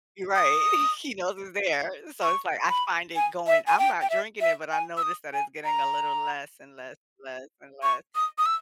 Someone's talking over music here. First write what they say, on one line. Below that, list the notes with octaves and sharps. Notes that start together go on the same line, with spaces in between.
Right. He knows it's there. So it's like, I find it going I'm not drinking it, but I noticed that it's getting a little less and less, less and less.
D#6
C#6
B5
G#5
E5
G#5
G5
G5
E5
E5
G#5
E6
D#6
G#5
A#5
C#6
D#6
D#6
E6